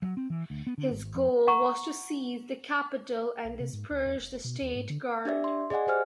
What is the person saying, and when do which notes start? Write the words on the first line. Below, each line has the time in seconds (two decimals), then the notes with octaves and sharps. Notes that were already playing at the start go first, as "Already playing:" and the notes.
His goal was to seize the capital and disperse the State Guard.
0.02 F#3
0.17 C4
0.30 E3
0.50 D2
0.67 B3
0.78 D3
0.91 G#1
1.15 F2
1.47 F#5 A#5 C#6
3.45 B1
3.60 C3
3.73 G#2
3.90 D2
4.06 E2
4.19 F1
4.32 F#1
4.44 B2
4.62 D#2
4.75 G#2
4.90 D3
5.25 D4 G4 D5 E5
5.44 C6
5.70 G#4 D5 D#5 F#5 G#5
5.87 G4 C5 G#5 F6